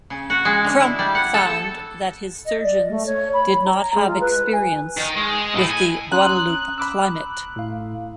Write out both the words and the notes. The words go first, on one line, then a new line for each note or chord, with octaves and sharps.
Crump found that his surgeons did not have experience with the Guadeloupe climate.
C#3
F#4
G#3
D3
E4
G3
F#5
A4
A4
D#5
D5
A3
C#5
B5
A#5
G#3
F4
B4
G#5
D#3
G#3
A2
G#5
C#4 A#5 C6 D#6 F#6
B5 D6 E6
A2 F5